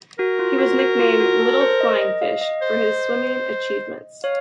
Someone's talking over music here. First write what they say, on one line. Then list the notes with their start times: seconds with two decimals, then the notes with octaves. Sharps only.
He was nicknamed "Little Flying Fish" for his swimming achievements.
0.19 F#4 A#4
0.39 F4
0.59 F#4
0.79 F#4
0.99 F4
1.20 F#4
1.40 A4
1.61 C5
1.81 D#5
2.01 D#5
2.22 F5
2.41 D#5
2.62 C5
4.24 C#5 F5